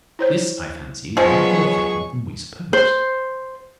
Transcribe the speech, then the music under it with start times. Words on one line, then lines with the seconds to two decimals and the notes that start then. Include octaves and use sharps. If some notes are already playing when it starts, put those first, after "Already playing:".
This, I fancy, is much more frequent than we suppose.
0.19 E4 C5 C#5
1.17 F3 F#3 G#3 B3 C#4 G#4 C#6
2.73 C5